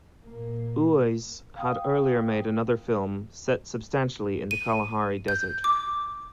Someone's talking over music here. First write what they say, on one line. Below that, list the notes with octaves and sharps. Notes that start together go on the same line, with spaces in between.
Uys had earlier made another film set substantially in the Kalahari Desert.
A#2 A#3
F5 G5 D#6
D#7
G6
D6